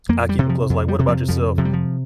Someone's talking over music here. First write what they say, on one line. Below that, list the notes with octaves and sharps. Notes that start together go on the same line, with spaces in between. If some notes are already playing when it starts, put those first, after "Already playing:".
I keep 'em close, like What about yourself?
F2 A#3
G3
C3
F3
F2
G3
C3
F3
F2 F3
C3 F3
G3
F3